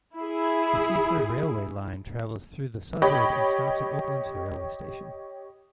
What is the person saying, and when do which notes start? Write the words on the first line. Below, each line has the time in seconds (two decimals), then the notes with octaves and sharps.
The Seaford railway line travels through the suburb and stops at Oaklands railway station.
0.16 E4 G#4
3.02 G4 C#5 D#5 B5